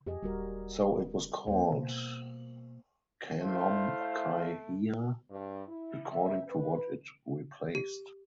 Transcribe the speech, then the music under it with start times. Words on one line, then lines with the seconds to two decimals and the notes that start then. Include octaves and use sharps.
So it was called "khanom khai hia" according to what it replaced.
0.07 F2 G4 G#4 D#5
0.23 D#1 G3 F#4 A#4
1.47 D#2 A#3 C5
1.72 B2
3.40 A3 E4 C5 F5
5.30 G2
5.68 E4
6.11 E5
6.47 B4
7.75 G4